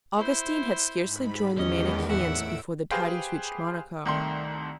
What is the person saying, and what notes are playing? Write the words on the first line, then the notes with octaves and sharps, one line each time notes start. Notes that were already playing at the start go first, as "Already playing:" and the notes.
Augustine had scarcely joined the Manicheans before the tidings reached Monica.
E4 C5
G#2 B5
E2 D#3 G#3 B3 C#4 G4 D#5
A2 E5 F#5 E6 D7
G4 G#4 B4 C5 F5 G5
C2 D#3 A3 C6